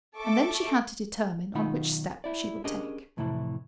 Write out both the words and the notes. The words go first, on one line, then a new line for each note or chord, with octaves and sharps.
And then she had to determine on which step she would take.
A4 E5 C#6 D6
B1 D#3 D#4 F4 F#5 B5
E4 D5
C#4 D4 G4 G#4 A#4 D#5
F2 A2 C3 E3 E4